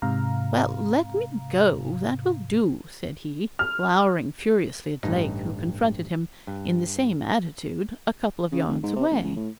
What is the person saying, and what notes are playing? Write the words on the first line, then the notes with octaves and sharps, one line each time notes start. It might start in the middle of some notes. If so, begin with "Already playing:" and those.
'Well, let me go; that will do,' said he, glowering furiously at Lake, who confronted him, in the same attitude, a couple of yards away.
G#2 C3 F5 A#5
F6
A1 G2 D#4
G2
C#3
F1
G#2
C3
A1
C#2
A2